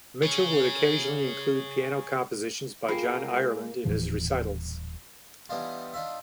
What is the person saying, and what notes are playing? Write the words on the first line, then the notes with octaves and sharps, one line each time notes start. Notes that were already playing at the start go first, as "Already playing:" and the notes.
Mitchell would occasionally include piano compositions by John Ireland in his recitals.
G#4 C#5
A#3 F4 G#4 G5
G#3
D#1 A2 E3 F3
E3 G3 B3 D4 D#4 F4
D4 D#4 F4 E5